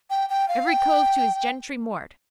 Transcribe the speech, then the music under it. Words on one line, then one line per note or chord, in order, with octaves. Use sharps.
Every cove to his gentry mort.
G5
G5
F5
G5